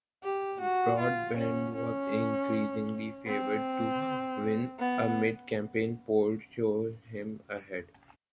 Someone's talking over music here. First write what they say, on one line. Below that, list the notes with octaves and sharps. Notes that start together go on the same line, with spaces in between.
Broadbent was increasingly favoured to win, a mid-campaign poll showed him ahead.
G4
F#4
F4
C#4
C#4
C4
B3